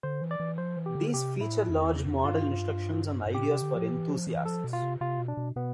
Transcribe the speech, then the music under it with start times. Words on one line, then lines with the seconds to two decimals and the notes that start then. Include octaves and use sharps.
These feature large model instructions and ideas for enthusiasts.
0.03 D3 C5
0.21 E3
0.31 D5
0.40 E3
0.58 F3 C5
0.77 E3
0.86 G4
0.95 D3
1.14 C3 G4
1.41 A2 E4
1.69 F2
1.87 E2
2.06 F2
2.24 G2 F4
3.26 G2
3.34 A2 G4
3.49 C3
3.62 D3
3.76 F3
3.91 E3
4.09 F3
4.27 E3
4.45 F3 A4
4.64 B2
4.73 F4
4.82 C3
5.01 C3 F4
5.19 B2
5.28 D4
5.37 B2
5.56 B2 B3